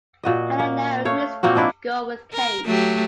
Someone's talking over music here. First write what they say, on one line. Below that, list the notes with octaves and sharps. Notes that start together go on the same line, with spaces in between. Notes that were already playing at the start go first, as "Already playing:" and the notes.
Helena agrees to go with Kate.
A#2 F#4 D#5
A#3
A3 C#5 F5
A#2 A#3 C4 F#4
F3 G#3 D4 E4
A#4
F#3 A3 G4